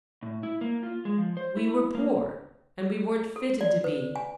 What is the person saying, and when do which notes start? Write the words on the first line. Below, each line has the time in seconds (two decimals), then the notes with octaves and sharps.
We were poor, and we weren't fitted to be.
0.23 A2
0.43 E4
0.61 A#3
0.83 F4
1.05 G#3
1.18 F3
1.37 C5
1.57 E4
1.95 A#3
3.36 A4
3.61 D5
3.84 B4
4.16 G#5